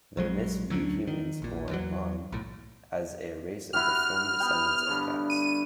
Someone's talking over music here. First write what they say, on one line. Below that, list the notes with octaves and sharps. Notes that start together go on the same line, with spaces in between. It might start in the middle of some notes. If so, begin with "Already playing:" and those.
Their myths view humans, or "M'an", as a race of deformed descendants of cats.
A#1 F#3 G#3
D2 F#3 C#4 D4
D#3
A#1 A#2
E2 E3 F#3
B1 A2
E4 F#4 G4 F6
B3 G5
G2 D3 C#5
D#7